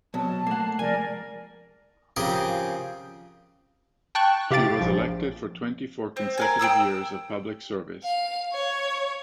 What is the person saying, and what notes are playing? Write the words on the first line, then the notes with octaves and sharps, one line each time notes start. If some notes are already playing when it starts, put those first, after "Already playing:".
She was elected for twenty-four consecutive years of public service.
B2 F#3 B3 C4 A5
A3 A#3 F#5 C7
C3 F3 G#3 A#4 D5 G#5
C#3 F3 C4 G4 G#4 A#4
G5 A5 C#6 F#6
C3 G4 F5 A6 D7
A#1 F3
C4
A#4 F5 G#5
G5 A5 D#6 E6
F5
C#5